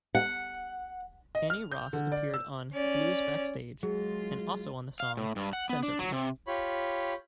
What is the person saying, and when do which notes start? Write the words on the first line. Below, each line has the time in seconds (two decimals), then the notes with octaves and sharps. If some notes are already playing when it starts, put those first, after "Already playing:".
Annie Ross appeared on "Blues Backstage" and also on the song, "Centerpiece".
0.15 F#5
1.35 D#5
1.50 F6
1.72 G6
1.93 D3
2.12 D5
2.34 E6
2.73 C#4 D5
3.83 F#3 G#3 F4 G#4
5.00 F5
5.17 A2
5.36 G2
5.53 F#5
5.69 B3
5.83 D4
5.99 F#3
6.12 C3
6.47 F4 G4 C#5 B5